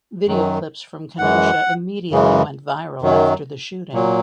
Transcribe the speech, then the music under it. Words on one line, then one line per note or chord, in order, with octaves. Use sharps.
Video clips from Kenosha immediately went viral after the shooting.
F#2 D#3 F#3
F#2 E3 G#3 F#5
F#2 C#3 E3 G#3
F#2 D#3 F#3
A#2 F#3